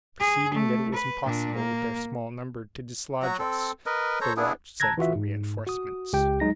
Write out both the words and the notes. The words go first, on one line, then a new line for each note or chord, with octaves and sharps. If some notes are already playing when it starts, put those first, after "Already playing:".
Perceiving that it was impossible with their small number to dislodge us, the watch sent for reinforcements.
G#4
A3
B4
A#2 D4
A#3
F#3 F#4 A#5
C4 A4
A#4 B4 D#5
A4 C5 C#5 A#5
B3 D4 E4 G#4
A5 A#5 E6 F#6 G#6 A#6
E3 F4 F#4 E5
G#2
F#4 D#6
C#2 G4 G5
F#3 G#3 D#4 A#6